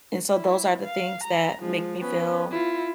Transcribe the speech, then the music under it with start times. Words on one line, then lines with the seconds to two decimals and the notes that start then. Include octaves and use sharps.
And, so, those are the things that make me feel,
0.34 E4
0.84 F5
1.24 A#5
1.61 F3 G#3
1.99 B3 C#4
2.51 E4 F4